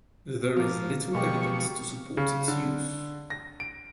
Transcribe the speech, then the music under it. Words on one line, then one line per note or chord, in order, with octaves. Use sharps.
There is little evidence to support its use.
F3 A#3 C#5
B2 F3 G#3 A#3 F#4 G4 C#6
C#3
D3
A#6
D7